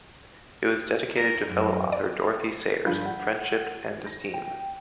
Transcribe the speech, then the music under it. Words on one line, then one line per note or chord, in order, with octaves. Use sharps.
It was dedicated to fellow author Dorothy Sayers in friendship and esteem.
A#4
F#2
D5
G2 F3 F4 G6 B6
F#5
A#6
G5